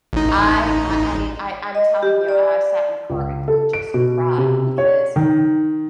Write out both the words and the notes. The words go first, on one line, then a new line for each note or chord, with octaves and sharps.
I I I mean, I I'm telling you, I I sat in the car and cr just cried because
A1 D#4
D#5
G4
D5
C#2
A4
D7
B2
C3
C#5
D#3